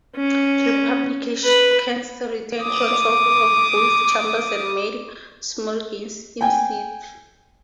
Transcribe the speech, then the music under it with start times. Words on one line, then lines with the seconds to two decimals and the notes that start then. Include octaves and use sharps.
Republicans retained control of both chambers and made small gains in seats.
0.16 C#4
1.44 B4 B5
2.63 D6 D#6
6.41 G5 G#5